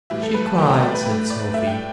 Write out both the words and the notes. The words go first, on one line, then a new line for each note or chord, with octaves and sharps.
"She cried," said Sophie.
A2 E3 G3 E5
A4
B4
A5
A2 E3 G3 G5
E5
D5
B4
A2 A3 B4
D5
A2 A3 E5
G5